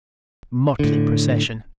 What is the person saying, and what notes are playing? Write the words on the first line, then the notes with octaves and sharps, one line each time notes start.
Motley procession!
A2 D3